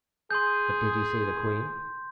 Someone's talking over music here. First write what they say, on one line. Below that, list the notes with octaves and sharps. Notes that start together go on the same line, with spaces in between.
"But did you see the queen?"
G#4 C6 G6